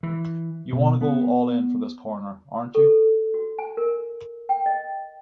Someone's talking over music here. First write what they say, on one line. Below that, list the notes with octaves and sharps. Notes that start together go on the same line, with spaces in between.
You want to go all in for this corner, aren't you?
E3
B2
B3
A4
F#4
G#5
A#4
G5
D#5